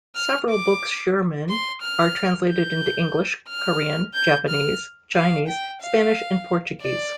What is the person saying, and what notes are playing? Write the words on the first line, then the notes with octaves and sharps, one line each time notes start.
Several books Schuurman are translated into English, Korean, Japanese, Chinese, Spanish and Portuguese.
F6
D6
C6
F6
G6
F6
G6
F6
F5
G5
F5
D5